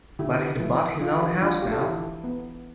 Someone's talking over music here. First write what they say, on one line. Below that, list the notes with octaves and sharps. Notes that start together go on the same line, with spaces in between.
But he'd bought his own house now.
D3 E4 G4
G4 B4
F3 C4 E4
E4
D3 D4 F4
E4 G4
F3 C4 D4 F4
G4
A4
E3 E4 G4
B3